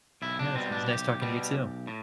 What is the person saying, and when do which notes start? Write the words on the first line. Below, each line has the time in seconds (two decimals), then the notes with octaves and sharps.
Yes, it was nice talking to you too.
0.22 B1 E4
0.39 D4
0.55 B2 G3 C4
0.72 D4
0.88 B1 G4
1.22 B2 G3
1.55 B1
1.87 A2